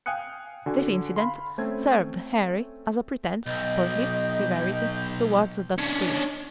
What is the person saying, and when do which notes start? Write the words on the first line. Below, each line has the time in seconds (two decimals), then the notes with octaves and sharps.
This incident served Henry as a pretence for his severity towards that prince.
0.06 F5 G5 G#5 D#6 F#6 C#7
0.66 D3 F#4 G#5
1.16 F5 B5 C6
1.58 A3 C4 C#4 G#6
3.46 B1 D#5 G5
5.78 C#4 D4